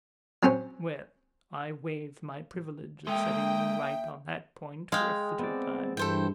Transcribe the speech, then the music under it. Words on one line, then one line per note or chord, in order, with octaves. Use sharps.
Well, I waive my privilege of setting you right on that point for a fitter time.
F#3 C4 C#4 C5
G#3 A#3 A4 E5 G5 C6 D#6
G#3 F5 G5
B3 C4 D5
G2 E3 A4 C5 G5